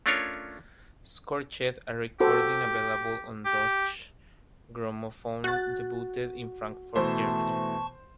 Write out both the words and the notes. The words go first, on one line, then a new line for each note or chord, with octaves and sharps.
"Scorched", a recording available on Deutsche Grammophon, debuted in Frankfurt, Germany.
A3 C#4 D4 F4 A#4 C#5
F#4 G4 A4 C5
G4
F#4 F#6 A6
B2 E3 A3 C5 A5 C#6